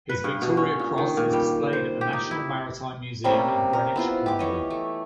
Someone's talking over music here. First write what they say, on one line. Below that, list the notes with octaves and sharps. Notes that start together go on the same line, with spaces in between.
His Victoria Cross is displayed at the National Maritime Museum in Greenwich, London.
B4
G2
B2
C#4
A#2
D#3
A#2
G3
C5
G4
D#4
E4
C3 G3 A#3 C#4
A#4
B3 E4 F4
G4 D6
E3 C#5 D#5
A3